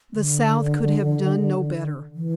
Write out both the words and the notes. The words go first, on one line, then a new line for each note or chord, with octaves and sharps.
The South could have done no better.
D3
E3